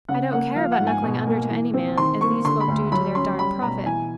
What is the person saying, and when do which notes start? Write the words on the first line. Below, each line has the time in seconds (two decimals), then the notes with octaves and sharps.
I don't care about knuckling under to any man, as these folk do to their darned prophet.
0.09 C#3 F#5
0.32 A#3 F#5
0.56 F3 F5
0.72 F#5
0.80 G#2
0.87 G#5
1.03 B2
1.27 A#3
1.50 E3
1.74 C4
1.97 D#3 C6
2.21 A#3 C#6
2.44 D3 C6
2.60 B5
2.68 D2
2.92 F#3 B5
3.15 C#4 C6
3.39 G3 B5
3.62 B2 A#5
3.86 E3 G#5